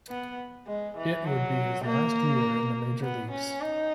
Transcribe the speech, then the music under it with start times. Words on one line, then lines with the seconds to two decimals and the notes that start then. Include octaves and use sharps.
It would be his last year in the major leagues.
0.09 B3
0.67 G#3
0.97 E3
1.25 F#3
1.84 A#3
3.01 B3
3.31 C#4
3.60 D#4